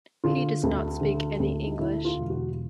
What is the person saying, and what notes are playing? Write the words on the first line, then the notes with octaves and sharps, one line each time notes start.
He does not speak any English.
D3 F4
D2
D3
D2
D#4
D3 E4
F4
E1
F#4